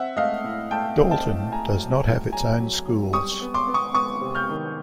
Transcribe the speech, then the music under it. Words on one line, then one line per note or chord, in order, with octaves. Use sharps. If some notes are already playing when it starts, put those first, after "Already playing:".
Dalton does not have its own schools.
Already playing: C4 E5 F#5
A3 D#5 F5
A2
A3 G5 A5
C4
G5 A5
A2
A3 G#5 A#5
F#3
A3
F#3 G#5 A#5
F#3
F#3
G3 C#6 D#6
B3
C6 D6
B3
C#6 D#6
B3 C#6 D#6
C3
F6 G6
D#3